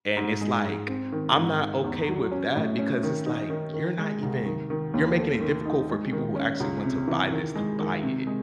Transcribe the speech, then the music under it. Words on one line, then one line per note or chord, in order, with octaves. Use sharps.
and it's, like, I'm not okay with that because it's, like, "You're not even you're making it difficult for people who actually want to buy this to buy it,
G#2
G#3
G#2
C4
D#3
G#2
D#3
E2
F#3
C#4
A2
C#4
D#3
D#4
D#3
D#3
G#3
C2
D#3
D#3
D#2
A3
D#3
D#4
G#3
D#3
C#4
C#2
C3
E3
D#3
G#3
D#3
C3
G#3